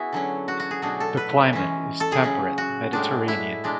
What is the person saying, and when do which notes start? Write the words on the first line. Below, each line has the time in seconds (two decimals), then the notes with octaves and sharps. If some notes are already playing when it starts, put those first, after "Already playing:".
The climate is temperate Mediterranean.
Already playing: B3 E4 F#4 G#4
0.13 D3 F#3 C#4
0.48 F#4
0.60 F#4
0.71 G#4
0.82 B2 F#3 A3 D4 G#4
1.00 A4
1.17 B4
1.53 E3 G#3 C#4
2.00 A4
2.12 G#4
2.23 C#3 F#3 C#4
2.58 F#4
2.93 A2 G#3 D4
3.28 E4
3.64 B2 G#3 D4